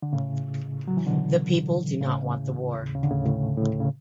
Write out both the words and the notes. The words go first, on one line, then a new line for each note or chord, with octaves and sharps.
The people do not want the war.
D3
A2 C#3
F#3
E3
B2 D3
A2 C#3
C#3
D3
A2 C#3
A2
A2
C#3